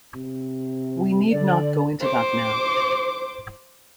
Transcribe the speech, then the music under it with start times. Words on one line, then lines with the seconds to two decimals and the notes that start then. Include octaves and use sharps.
We need not go into that now.
0.15 C3
1.31 D3 D5
2.00 C5 D6